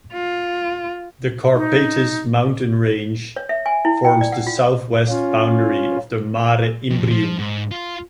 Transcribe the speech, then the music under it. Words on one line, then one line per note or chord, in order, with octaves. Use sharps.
The Carpatus mountain range forms the southwest boundary of the Mare Imbrium.
F4
D#4
C#5
E5
G#5
E4
G5
D5
F#5
F4
C#4 F4
F2
F3
G#2
F4